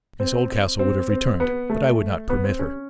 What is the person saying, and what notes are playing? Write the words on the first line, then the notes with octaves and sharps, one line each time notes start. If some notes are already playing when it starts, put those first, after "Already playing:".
Miss Oldcastle would have returned, but I would not permit her.
C4
C4
C4
B3
A3
B3
C4
C#4